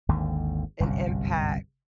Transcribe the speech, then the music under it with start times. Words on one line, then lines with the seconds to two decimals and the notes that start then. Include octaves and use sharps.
an impact
0.09 G#1 D#2 G#2 D3
0.80 G1 C2 F#2 C3